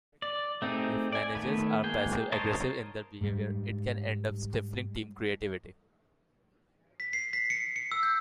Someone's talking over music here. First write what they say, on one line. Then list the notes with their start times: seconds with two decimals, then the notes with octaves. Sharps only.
If managers are passive-aggressive in their behavior, it can end up stifling team creativity.
0.22 D5
0.62 A3 C4 D#4 G4 G#4
1.12 D5 G#5
1.35 D#3 A3 B3 B4
1.84 G#3 A#3 G#4 G5
2.32 A#4 C5 C#5 D#5 A5
3.21 G#2 G3
7.00 B6
7.13 C7
7.33 B6
7.50 C#7
7.76 C#7
7.92 E6
8.03 G6